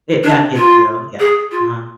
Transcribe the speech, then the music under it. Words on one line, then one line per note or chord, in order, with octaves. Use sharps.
It yeah, I get you, though yes, uh-huh.
D4
F4
G#4
F4